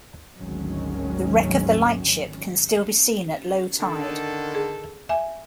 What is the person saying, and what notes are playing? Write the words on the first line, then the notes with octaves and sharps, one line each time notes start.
The wreck of the lightship can still be seen at low tide.
G#1 D2 D#3 F#3 G#3 C#4
D3 D#3 A4
G#4
E5 G#5